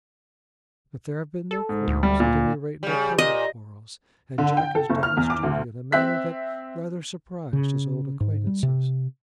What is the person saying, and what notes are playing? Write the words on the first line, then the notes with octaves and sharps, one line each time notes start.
But there have been no quarrels, at any rate, no public quarrels, and Jack has done his duty in a manner that rather surprised his old acquaintances.
A4
G#2
D2
G3
A#2
C#3 G3
A#2 D#5
D3
G5
A4
F#1
F6
E2
D6
D2
C4 E5 F#6 B6
C#3
G#2
G3
C3